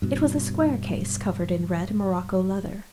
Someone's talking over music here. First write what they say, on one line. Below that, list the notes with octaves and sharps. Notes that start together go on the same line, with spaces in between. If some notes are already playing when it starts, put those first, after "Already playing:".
It was a square case covered in red morocco leather.
G2 B2